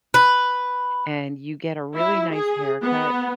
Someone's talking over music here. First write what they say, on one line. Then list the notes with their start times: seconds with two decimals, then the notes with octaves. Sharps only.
and you get a really nice haircut,
0.14 B4
1.97 E4
2.34 G#4
2.84 B3